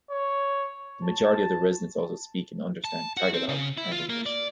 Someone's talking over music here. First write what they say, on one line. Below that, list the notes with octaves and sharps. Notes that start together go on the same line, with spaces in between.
The majority of the residents also speak and understand Tagalog and English.
C#5
A5
A5
F#4
C4
C#3
E4
F4
A#3
D5